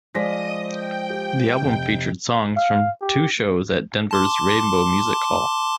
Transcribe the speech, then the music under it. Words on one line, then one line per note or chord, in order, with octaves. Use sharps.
The album featured songs from two shows at Denver's Rainbow Music Hall.
F3 G#3 C5 D5 D#5 D#6 A#6 B6
G5
G4
F1
F5
G4
A5 C6 D6